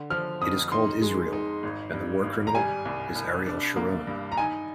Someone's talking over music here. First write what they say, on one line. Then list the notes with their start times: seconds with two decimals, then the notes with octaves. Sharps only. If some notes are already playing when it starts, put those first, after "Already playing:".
It is called Israel, and the war criminal is Ariel Sharon.
Already playing: D3
0.10 F3 F6
0.41 F2 D#6
0.72 D#4 C6
1.02 G#3
1.33 D#4
1.63 G#1
1.93 G2
2.24 G#1
2.47 A#5
2.55 G3 G#5
2.85 C2
3.15 C2
3.46 D4
3.76 A#3
4.07 G2
4.32 A#5
4.37 D#4 G#5